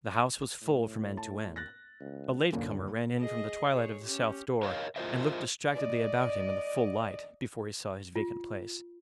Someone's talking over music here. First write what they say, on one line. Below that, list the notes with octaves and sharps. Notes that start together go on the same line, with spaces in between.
The house was full from end to end; a late comer ran in from the twilight of the south door and looked distractedly about him in the full light before he saw his vacant place.
A2
A5
F#6 A6 A#6
C#2
F#1 D#2 A#2 D3
G#4 D#5
G#4 C#5
C#4 G4
A#4 C#5 D#5 F5
F4 F#4 A#4 C5 D#5 E5
D5 D#5
F4